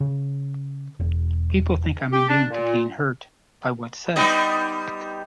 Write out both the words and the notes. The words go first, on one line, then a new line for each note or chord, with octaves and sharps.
People think I'm immune to being hurt by what's said.
C#3
E1
G4
D4
A#2
G3 B3 D#4